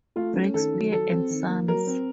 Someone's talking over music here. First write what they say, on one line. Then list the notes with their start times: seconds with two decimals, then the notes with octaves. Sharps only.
Brakspear and Sons.
0.16 A3 F4
0.35 C#4
0.54 D#3 A4
0.73 F#3
0.92 F#3 A4
1.11 C4
1.30 D#3
1.49 A#3
1.68 F#3 A#4
1.87 C4